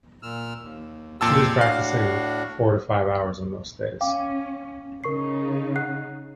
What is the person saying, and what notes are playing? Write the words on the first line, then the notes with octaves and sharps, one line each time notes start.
She was practicing four to five hours on most days.
A#2 E6 F6
D#2
F2 A#2 G5 A5 C6 E6
A2 D4 F#4 F5
C#4 F5 G5 D6
C#3 D#4 A#4 C#6 C7
F#5 F#6 C7